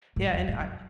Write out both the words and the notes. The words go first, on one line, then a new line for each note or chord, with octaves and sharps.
Yeah, and I
G#2
E2
G#2
F#2